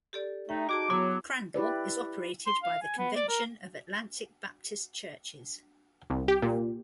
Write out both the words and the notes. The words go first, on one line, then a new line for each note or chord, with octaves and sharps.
Crandall is operated by the Convention of Atlantic Baptist Churches.
G4 A4 D5
A3 D#4 G5
D#4 F#4 G#4 A5 D6
F#3 B3 E4 F#4 D6
E4 G4 B4 D5
C6
F5
G#5
B3
D5
A#4
C2
G4
A#2